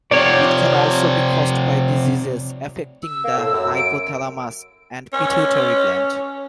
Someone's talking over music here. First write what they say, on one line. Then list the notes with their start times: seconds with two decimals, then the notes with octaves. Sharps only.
It can also be caused by diseases affecting the hypothalamus and pituitary gland.
0.11 C3 F3 C#5 D5
3.03 E6
3.24 A#3
3.37 A2
3.53 F#2
3.75 D7
5.13 C#4